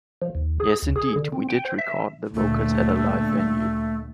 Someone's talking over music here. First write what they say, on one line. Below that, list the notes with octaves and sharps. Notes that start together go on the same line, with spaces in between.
Yes indeed, we did record the vocals at a live venue.
F3
D#2
G#4
D2
G#4
D3
C4
G5
C5
E5
D2 A#2 A3